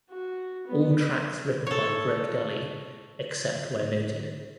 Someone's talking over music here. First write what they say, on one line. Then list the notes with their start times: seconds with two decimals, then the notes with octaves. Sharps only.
All tracks written by Greg Dulli except where noted.
0.10 F#4
0.67 B3
1.67 A4 C#5